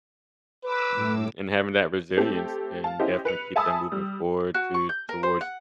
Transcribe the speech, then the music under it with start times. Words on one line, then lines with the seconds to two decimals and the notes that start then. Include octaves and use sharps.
Mhm. And having that resilience can definitely keep them moving forward to towards
0.64 B4 D6 E6
0.95 A2
2.17 A3 C4 G4 A4
2.84 F5 A5
2.99 C#4 E4 G4 C5 D#5
3.25 B4 C#7 F7
3.56 E5 G#5 A5 B5 D#6 E6
3.92 G3
4.54 F#4
4.74 C#6
4.89 G6
5.09 A#4
5.23 C5
5.41 F#5